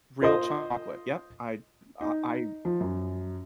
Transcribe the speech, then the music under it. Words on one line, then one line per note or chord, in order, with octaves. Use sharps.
real chocolate. Yep. I I I
F4 C5 D#5
D#4
F3
F#2